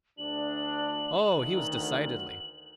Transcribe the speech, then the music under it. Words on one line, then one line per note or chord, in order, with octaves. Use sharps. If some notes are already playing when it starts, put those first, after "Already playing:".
"Oh, he was, decidedly."
D2 D4 F#7
D2 D#3